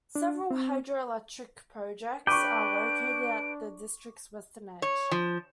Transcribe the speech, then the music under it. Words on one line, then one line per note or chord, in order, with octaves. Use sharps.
Several hydroelectric projects are located at the district's western edge.
D4
C4
D4 B4 G5 C#6 D6 D7
C#5
F3